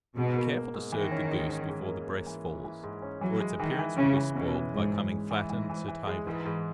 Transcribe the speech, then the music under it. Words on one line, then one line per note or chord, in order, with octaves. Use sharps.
Be careful to serve the goose before the breast falls, or its appearance will be spoiled by coming flattened to table.
G#2 B2
A#3
A#3
G#2
D#3 E3
C#4
G#2
C#4
G#2
A#3
A#3
E3
E3
E3
G#2
C#4
E3 F#3
G#3
D#3 E3
E3
C#3 E3
E3
B2 C#4
E3
G#2 G#3
E3
G#3
E3
G#2 E3
E3
E3
G#3
G#2 E3
G#2